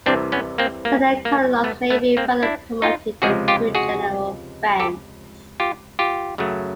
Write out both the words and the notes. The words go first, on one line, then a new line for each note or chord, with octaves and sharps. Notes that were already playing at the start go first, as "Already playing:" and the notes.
Senior Colonels may be further promoted to general ranks.
C2 C3 E3 C4 D4
B3 C#4
A#3 C4
A#3
A#3
A3 B3
A3 B3
A#3 C4
D4 E4
D#4 F4
C#2 C3 F3 G#3 F#4 G#4
F4 G4
F#4 G#4
G4 A4
F4 G4
F4 G4
F#2 C#3 F#3 A3